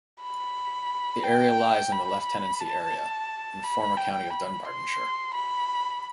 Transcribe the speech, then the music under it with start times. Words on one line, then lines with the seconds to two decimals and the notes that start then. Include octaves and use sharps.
The area lies in the Lieutenancy area and former county of Dunbartonshire.
0.21 B5
1.24 G5
1.92 B5
2.61 A5
3.64 B5
3.97 G5
4.31 B5
4.65 C6
5.34 B5